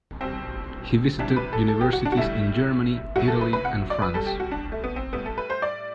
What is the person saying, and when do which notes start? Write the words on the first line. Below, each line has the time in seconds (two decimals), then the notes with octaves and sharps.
He visited universities in Germany, Italy, and France.
0.21 B2 G3 C4
1.19 C3 E3 G3 D4
1.37 B4
1.53 A4
1.68 A4
1.81 G4
1.93 F#4
2.05 D4
2.12 F#4
2.17 A2 G3 E4
3.16 A2 F#3 F#4
3.28 A4
3.41 B4
3.53 B4
3.65 F#5
3.90 D5
4.02 B4
4.14 B2 G3 A4
4.26 G4
4.40 F#4
4.51 D4
4.72 A3
4.84 B3
4.96 C4
5.13 A2 G3 B3
5.26 A4
5.38 B4
5.50 C5
5.62 D5